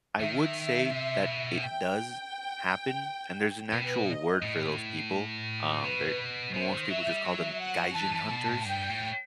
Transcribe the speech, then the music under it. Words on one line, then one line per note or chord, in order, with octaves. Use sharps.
I would say that it does happen, and there's an actual word for those people. Um, they're most people just call them "gaijin hunters."
D#3 E5
C3
B2
G5
B2 B4
D#5
A2
B2 B4
B2 C5
D#3
F#3 E5
G3
F#3 E5
F#5
E3 A5
E3
B2
A2
G2 G5
A2